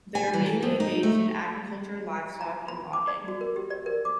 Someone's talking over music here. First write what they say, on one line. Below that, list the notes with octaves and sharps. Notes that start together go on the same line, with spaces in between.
They are mainly engaged in agriculture, livestock and logging.
G#5
E3
A4
F2
D#4
A3
A#5
B5
D6
D5
F#4
A#4
G4
D5
A#4
D6